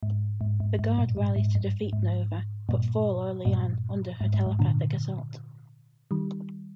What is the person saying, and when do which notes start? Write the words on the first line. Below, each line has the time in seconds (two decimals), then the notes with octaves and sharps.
The Guard rallies to defeat Nova but fall early on under her telepathic assault.
0.03 G#2
0.41 G#2
0.60 G#2
0.79 G#2
0.98 G2 A#2
1.17 G#2
1.36 G#2
1.55 G2
1.93 G#2
2.69 G2 A#2
3.45 G2 A#2
4.21 G#2
4.34 G#2
4.46 G#2
4.59 A#2 D3
6.11 D#3 G3